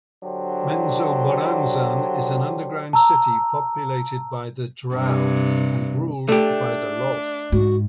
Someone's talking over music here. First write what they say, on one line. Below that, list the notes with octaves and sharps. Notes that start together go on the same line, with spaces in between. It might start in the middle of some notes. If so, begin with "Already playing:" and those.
Menzoberranzan is an underground city populated by the drow, and ruled over by Lolth.
D3 F#3 D4 G4 C5
A5 A#5 E6
G2 C3
A3 D4 G4
G#2 F#4